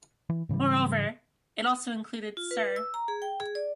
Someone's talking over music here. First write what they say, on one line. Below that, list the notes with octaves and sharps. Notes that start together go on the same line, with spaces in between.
Moreover, it also included cir.
E3
G#2 C#3 E3 G3
F4
B4
E6
A#5
G#4
G5
G#4
D5